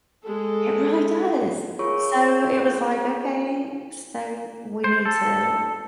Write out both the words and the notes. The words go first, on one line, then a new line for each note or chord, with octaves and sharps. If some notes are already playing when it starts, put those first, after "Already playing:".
It really does! So, it was like, "Okay, so, we need to,
G#3 A4
F4 G#4 A#4 C#5 C#6
C5
A4